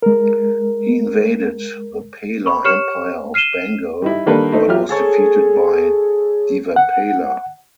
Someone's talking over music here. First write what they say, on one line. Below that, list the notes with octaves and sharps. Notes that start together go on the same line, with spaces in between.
He invaded the Pala Empire of Bengal, but was defeated by Devapala.
G#3 A#4
B5 C#6
G4 C#5 C#6 F6 C#7 E7
F6 C7 D#7 E7 G7
G3 D#4 E4
D#3 G3 A#3 D4 A4 B4
A3 D#4 A4 C5
F#3 F4 G4 E5 F6
G#4 A4 C#5
F#5